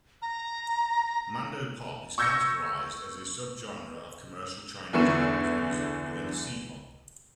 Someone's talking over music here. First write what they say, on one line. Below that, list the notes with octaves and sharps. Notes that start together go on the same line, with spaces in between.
Mandopop is categorized as a subgenre of commercial Chinese-language music within C-pop.
A#5
C#6 E6 G6 G#6 A#6 C#7
E2 D3 E3 C#6 E7